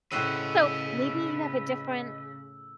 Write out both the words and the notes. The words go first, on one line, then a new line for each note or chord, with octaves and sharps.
So, maybe you have a different,
A2 C#3 F#4 B4 C5 D#5 E6